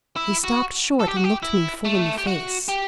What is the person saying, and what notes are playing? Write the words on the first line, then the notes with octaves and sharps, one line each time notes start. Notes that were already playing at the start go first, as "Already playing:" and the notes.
He stopped short and looked me full in the face.
E4
F#4
A4
G4
F#4
G4
E4
A3
G4
F#4
G4